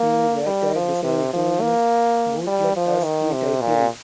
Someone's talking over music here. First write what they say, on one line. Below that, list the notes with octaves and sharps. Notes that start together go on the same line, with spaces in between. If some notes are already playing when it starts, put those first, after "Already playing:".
He later decided to use "Bootleg" as the title.
Already playing: A#3
G3
F3
C3
F3
A#3
G3
F3
D#3
C3
A#2